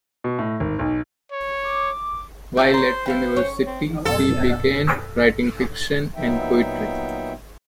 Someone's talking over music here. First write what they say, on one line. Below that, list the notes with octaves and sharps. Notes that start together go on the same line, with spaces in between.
While at university she began writing fiction and poetry.
B2
A2
G#1
B1
C#5
D6
A3 F4 G4 C5
A#4 C#5 C6
B4 E5 F5 G5
C#4 C#5
C4
F#2 B2 A4
A#2 F#3 B3 D#4 E5 G5